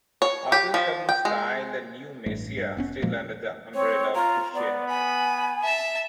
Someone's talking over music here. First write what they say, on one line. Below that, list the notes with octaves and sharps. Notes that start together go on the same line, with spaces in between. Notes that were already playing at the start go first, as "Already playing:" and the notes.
Others have been styled a new messiah still under the umbrella of Christianity.
C#5
G4
F3
G5
G#3
A1 G2 A3
G2
F1 B3 C#4
A#2 F3 G#3 A#3
C4 C#5
F4 A#5
B3 D5
G#5 B5
E5 A5